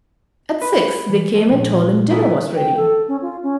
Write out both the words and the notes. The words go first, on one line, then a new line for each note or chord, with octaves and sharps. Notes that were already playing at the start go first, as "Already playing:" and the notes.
At six, they came and told him dinner was ready.
B4
E3
F2 F3
A#2
E4 G#4 A#4
G5
A4
C#4
F4
C#4